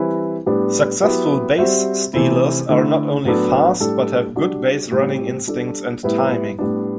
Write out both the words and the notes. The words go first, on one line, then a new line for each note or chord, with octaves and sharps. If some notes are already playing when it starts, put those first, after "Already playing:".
Successful base stealers are not only fast but have good baserunning instincts and timing.
Already playing: E3 G3 C4 E4 B4
A2 G3 B3 D4 G4
F#3 B3 E4 G4
G3 C4 F#4 C5 E5
C3 E3 A3 C4 E4
D3 A3 E4
A2 F#3 B3 D4 A4
A2 G3 D4 A4
G3 D4 F#4
A2 G3 C4 G4
G3 D4 A4
A2 G3 B3 E4 B4
A2 G3 B3 D4